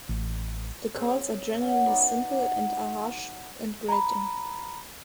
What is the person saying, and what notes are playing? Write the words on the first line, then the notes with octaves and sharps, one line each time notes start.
The calls are generally simple and are harsh and grating.
A1
C4 G#4 C#5
C#4 C#5 F#5 G5
B3 D#4 F#4 D5
A#5 B5